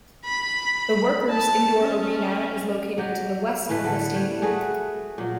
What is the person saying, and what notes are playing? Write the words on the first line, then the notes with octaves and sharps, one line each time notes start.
The Workers Indoor Arena is located to the west of the stadium.
B5
A5
C#4
F#3 G4
A2 E3 A3 B4
D3 E4 A4
G3 C#5
A3 F#4 G#4 B4
A#2 F#3